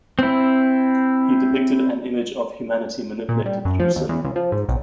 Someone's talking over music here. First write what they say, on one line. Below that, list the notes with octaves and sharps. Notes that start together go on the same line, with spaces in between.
He depicted an image of humanity manipulated through sin.
C4 E4
A#2
G3
F#2
F3
D#2
E2
C#2
F3
G#2
B1